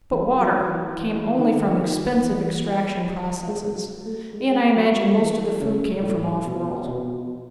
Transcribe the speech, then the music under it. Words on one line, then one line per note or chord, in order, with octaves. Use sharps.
But water came only from expensive extraction processes and I imagine most of the food came from offworld.
E3
F#3
E3
E3
D#3
D#3
E3
G#3
F#3
A3
G#3
F#3
E3
C#3
A2
B2
B2